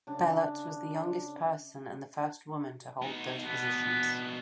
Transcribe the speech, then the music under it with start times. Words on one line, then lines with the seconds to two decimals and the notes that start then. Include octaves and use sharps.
Bellot was the youngest person and the first woman to hold those positions.
0.07 C#3 D4
3.02 B3 D#4
3.46 B2 B3 D4